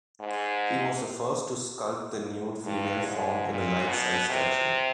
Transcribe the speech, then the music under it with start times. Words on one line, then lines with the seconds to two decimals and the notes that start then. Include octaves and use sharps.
He was the first to sculpt the nude female form in a life-size statue.
0.20 G#2
2.66 G2
3.07 G#2
3.48 A#2
3.88 B2
4.30 C3